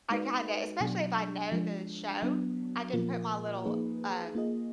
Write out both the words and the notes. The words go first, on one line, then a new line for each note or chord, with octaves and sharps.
I kinda especially if I know the show, I can put my little, uh,
G#3 D#4 F#4 B4 D5
B2 F#3 D4
F3 G#3 D4
F#3 B3 D4
A#2 F3 A#3 F4 A#4
F3 A#3 D#4 G#4 B4
A#3 F4 G#4 D#5